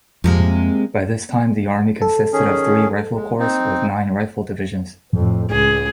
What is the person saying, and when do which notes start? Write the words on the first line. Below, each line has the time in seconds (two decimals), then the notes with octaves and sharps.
By this time the army consisted of three Rifle Corps with nine rifle divisions.
0.24 F2 C3 G#3 A#3
2.02 A4
2.33 D#3 C#4 G#4
3.15 G#3
3.39 C4 D#4
5.14 F2 A2
5.50 C#2 G#4